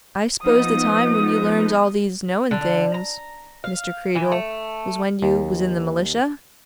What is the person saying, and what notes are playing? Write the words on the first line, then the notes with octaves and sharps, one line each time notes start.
"I s'pose the time when you learned all these knowing things, Mr. Creedle, was when you was in the militia?"
F3 B3 D#4 D#6
D3
A#5
F5
E3
A3
D#2